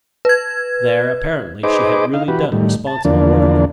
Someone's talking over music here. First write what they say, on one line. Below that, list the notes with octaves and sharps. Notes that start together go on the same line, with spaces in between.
There apparently she had really done responsible work.
B4 G#6
D#4 G#4 B4 C5 D#5 D6
D#4 F5
E3 F#4 G4 B4
A2 D#3 G3
A5
E2 D3 F3 A#3 D4